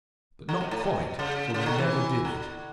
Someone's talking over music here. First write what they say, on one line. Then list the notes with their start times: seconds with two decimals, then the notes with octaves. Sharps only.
But not quite, for they never did it.
0.49 D3
0.61 B2
0.71 A2
0.84 B2
1.19 C#3
1.54 C#3
1.66 D3
1.78 E3
2.25 D3